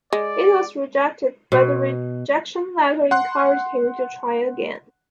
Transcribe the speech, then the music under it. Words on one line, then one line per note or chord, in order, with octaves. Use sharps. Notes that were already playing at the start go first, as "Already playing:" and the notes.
It was rejected, but the rejection letter encouraged him to try again.
G#3 D5
B2
F#5 C6 F#6